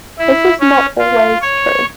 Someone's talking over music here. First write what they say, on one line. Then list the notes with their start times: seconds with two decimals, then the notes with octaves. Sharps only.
This is not always true.
0.18 E4
0.60 C#4
0.98 F4
1.42 C#5